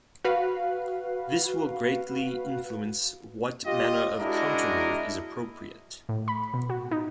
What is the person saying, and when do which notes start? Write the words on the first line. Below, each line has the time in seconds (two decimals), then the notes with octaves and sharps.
This will greatly influence what manner of countermove is appropriate.
0.24 F#4 B4 F5
3.66 F4 G4 D#5
4.21 G#3 D4 E4 F#4 A#4 D#5
6.09 A2
6.28 B5
6.54 B2
6.70 F#4
6.91 D#4